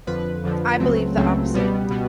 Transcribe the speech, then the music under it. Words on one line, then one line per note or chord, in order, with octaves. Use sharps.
I believe the opposite.
F2 D3 F3 B4
F2 D3 F3
C#2 C#3 F#3 A3 C4
C#2 C#3 F#3 A3 C4
C#2 B2 G3 B3
B2 G3 B3